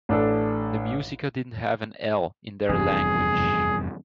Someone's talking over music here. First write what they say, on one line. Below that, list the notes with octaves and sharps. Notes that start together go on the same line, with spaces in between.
The Muisca didn't have an "L" in their language.
A1 D4 A4
F1 E2 G2 G#4